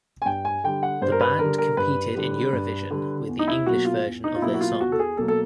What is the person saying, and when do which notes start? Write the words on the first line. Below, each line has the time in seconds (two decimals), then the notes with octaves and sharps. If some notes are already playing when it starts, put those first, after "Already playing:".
The band competed in Eurovision with the English version of their song.
0.22 G#5
0.26 G2 G5
0.45 G#5
0.64 D3 G3 G5
0.83 F#5
1.02 G2 C5
1.12 A#4
1.21 B4
1.39 D3 G3 A#4
1.58 A#4
1.77 G2 B4
2.15 D3 G3
2.53 G2
2.91 D3 G3
3.28 E2
3.39 D#4
3.48 E4
3.66 B2 F#3 A#3 F#4
3.85 F4
4.05 E2
4.24 D#4
4.36 F4
4.42 B2 F#3 A#3 E4
4.54 F#4
4.61 F4
4.80 E2 F#4
4.92 A4
4.99 G#4
5.17 B2 F#3 A#3 A4
5.28 A4